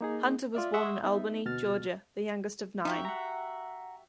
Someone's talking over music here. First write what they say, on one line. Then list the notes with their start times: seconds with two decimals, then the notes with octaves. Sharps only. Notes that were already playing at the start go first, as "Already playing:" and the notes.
Hunter was born in Albany, Georgia, the youngest of nine.
0.01 A#3 D#4 G#4
0.55 F4 D5 E5
0.74 E5 F#5 C6 C#6 D#6 E6
1.04 B3 D#4 E5
1.45 D2 B2 F#4 F6 A6
2.85 D#4 F#4 G4 E5
3.05 F#5 A#5